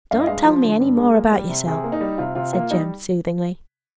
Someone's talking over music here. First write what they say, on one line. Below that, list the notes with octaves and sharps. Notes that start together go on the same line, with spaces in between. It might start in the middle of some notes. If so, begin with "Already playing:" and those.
"Don't tell me any more about yoursel," said Jem, soothingly.
G2 F5
D#5
G#3 F5
F3
D3
G2
G#3
A#3
G3
C3
C3 G#4
A#3
D#4
G3
C3 F4
C3 F4
A#3 F4
G3 D#4